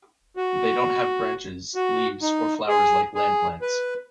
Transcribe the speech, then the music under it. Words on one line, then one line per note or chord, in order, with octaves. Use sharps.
They don't have branches, leaves or flowers like land plants.
F#4
F#4
D#4
G#4
G#4
B4